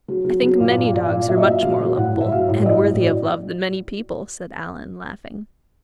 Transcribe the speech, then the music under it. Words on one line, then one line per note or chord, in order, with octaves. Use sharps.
"I think many dogs are much more lovable--and worthy of love--than many people," said Alan, laughing.
F#3
F#3
F#3
A#2
A#2
A#2 D5
A#2
F#3 E5
D#5
A#2 E5
F#3 F5
F#3
A2 F#5
A2
E5
F#3 F5
A2
D5
F#3 D#5
A2
F#3 D5